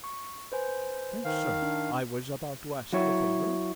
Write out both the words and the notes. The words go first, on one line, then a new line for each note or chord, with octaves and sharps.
"Thanks, sir; I was about to ask the favour."
C#6
B4 C5 G#5
D#3 F5
D4
F#3 E4 C#5